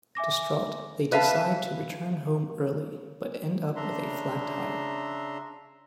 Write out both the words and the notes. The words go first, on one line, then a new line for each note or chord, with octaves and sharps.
Distraught, they decide to return home early, but end up with a flat tire.
E5 G#5 D6 A#6
B4 E5 F5 A5
C#3 D4 E5 A#5 C6